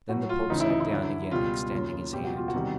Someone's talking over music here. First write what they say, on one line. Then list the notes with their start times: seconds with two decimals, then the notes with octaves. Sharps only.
Then the Pope sat down again, extending his hand.
0.09 A2 F#3 F#4
0.29 F4
0.50 D2 C#3 E3 D#4
0.60 E4
0.70 D#4
0.80 E4
0.91 F#2 D3 F#3
1.31 C#2 B2 G3 F4
1.72 D#2 C#3 F#3
2.13 C#2 B2 G3 G4
2.25 F#4
2.36 F4
2.48 F#4
2.53 E2 C3 D#3 G3